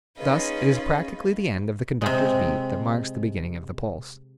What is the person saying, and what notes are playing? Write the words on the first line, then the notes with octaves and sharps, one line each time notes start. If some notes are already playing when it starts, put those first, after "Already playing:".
Thus it is practically the end of the conductor's beat that marks the beginning of the pulse.
C#4 D#4 F4 G#4 B4 D#5
C3 G#3